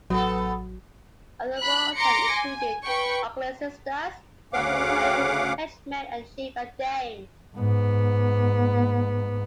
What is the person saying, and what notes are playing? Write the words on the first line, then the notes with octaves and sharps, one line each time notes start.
Other roles have included: Ugly Sisters, Broker's Men, Henchmen and Chief and Dame.
A1 F#3 B3 A4
B5 F#6
A#5 C6 D6 A#6 C#7
G#5
B4 G5 C#6
D2 C#3 C#4 F5 F#5 D6
G#2 B3